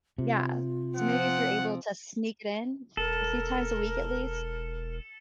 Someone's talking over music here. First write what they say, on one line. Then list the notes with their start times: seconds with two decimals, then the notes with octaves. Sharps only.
yeah, so maybe if you're able to sneak it in a few times a week at least.
0.18 C3 F4
0.97 F3 C4 F#5
2.97 E1 A4 A#4